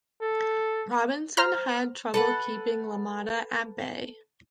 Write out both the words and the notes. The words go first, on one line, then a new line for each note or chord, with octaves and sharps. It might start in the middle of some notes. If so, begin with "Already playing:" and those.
Robinson had trouble keeping LaMotta at bay.
A4
C5 A#5 F6
A4 B4 F#5